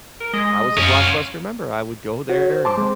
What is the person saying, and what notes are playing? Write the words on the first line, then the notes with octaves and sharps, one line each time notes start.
I was a Blockbuster member, I would go there, and
A#4
G#3 D#5
F#2 C#4 F4
F#4 C#5
C5
A5 C6 D6
G#3 C4